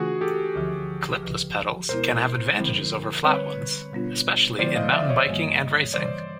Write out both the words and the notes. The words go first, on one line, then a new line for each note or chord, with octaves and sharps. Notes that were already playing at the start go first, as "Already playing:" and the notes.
Clipless pedals can have advantages over flat ones, especially in mountain biking and racing.
Already playing: C#3 E3 A3 D4 F4 F#4 G#4
G4 A4
D2 D3 F3
D2 C#3 F3
B2 G#3 B3 E4 A#4 C5
D3 F3 G#3 C4 E4
D3 G3 C4 B4 C#5
B2 G3 B3 D4 F4
D3 F3 G#3 B3 E4 C5 D5
D#5 F5
D5 E5
C#5 D#5
G2 D#3 G3 A#3
C#3 E3 G3 C5 D5